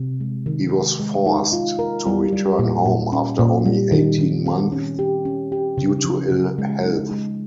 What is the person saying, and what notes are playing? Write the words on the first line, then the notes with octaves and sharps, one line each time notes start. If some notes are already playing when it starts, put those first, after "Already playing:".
He was forced to return home after only eighteen months due to ill health.
Already playing: C3
G#3
D#3
G#3
G#3
D#4
F4
A#4
G3
G3
A#2
A#2
C#4
A#2
G3
D#3
D#3
C4
C#4
G4
C#4
G4
C#3
F3
C#3
G#3
D#4
G#3